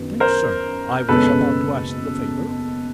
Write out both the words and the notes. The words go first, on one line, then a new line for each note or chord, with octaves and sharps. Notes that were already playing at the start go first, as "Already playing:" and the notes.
"Thanks, sir; I was about to ask the favour."
Already playing: F#2 D#3 B3
A#4 C5
F#1 E2 B2 G#3 C#4 A4 B4